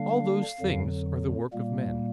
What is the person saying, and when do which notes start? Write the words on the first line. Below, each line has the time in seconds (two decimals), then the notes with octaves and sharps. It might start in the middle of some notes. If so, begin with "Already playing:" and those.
All those things are the work of men.
Already playing: D3 G3 A#3 D4 F5
0.61 F2 D3 F#3
1.53 A#2 G3 A#3